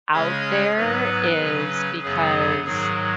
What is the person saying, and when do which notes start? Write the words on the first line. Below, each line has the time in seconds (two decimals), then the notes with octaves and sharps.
out there is because
0.13 C#3 G#3 C#4 C#5
0.77 G#2 F#3 B3 B4
1.40 C#3 F#3 C#4
2.03 F#2 C#3 F#3 B3 G#4
2.66 G#2 D#3 F#3 G#4